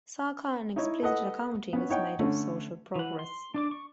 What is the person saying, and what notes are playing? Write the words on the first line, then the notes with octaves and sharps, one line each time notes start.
Sarkar an explicit accounting is made of social progress.
D#4 E4 C#5
A4 B4 D#5 F#5
B3 C#4
D#4 C#5 F#5 G5
D3 A3 C#4
E3 F#5
C6
D4 D5 D6
C#6